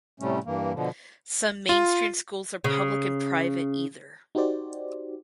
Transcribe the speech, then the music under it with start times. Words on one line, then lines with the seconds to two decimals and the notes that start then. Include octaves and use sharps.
Some mainstream schools are public and private either.
0.20 A2 C3 G3 A3 C#4
0.45 G2 E3 A#3
0.74 B2 D3 F3
1.69 F4
2.64 C#3
4.35 D#4 F#4 G4 C5 D5